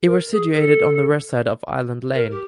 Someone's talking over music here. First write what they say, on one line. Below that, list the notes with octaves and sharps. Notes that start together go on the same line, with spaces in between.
It was situated on the west side of Island Lane.
A#4
G#4
A#4
A4
A#4
G4